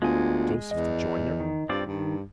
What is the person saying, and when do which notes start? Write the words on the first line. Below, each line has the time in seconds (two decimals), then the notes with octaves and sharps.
Joseph the Joiner?
0.02 D2 G#3 B3 F4 G#5
0.71 E2 D#5
1.40 D#3
1.69 G2 C4 F4 D5
1.86 G2 D#3